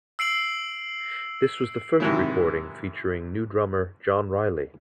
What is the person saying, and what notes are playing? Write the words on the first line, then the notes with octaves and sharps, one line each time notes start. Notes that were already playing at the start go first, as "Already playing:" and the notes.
This was the first recording featuring new drummer Jon Reilly.
E6 C7 D7 F#7
G#2 C3 D#3 E3 F#3 E4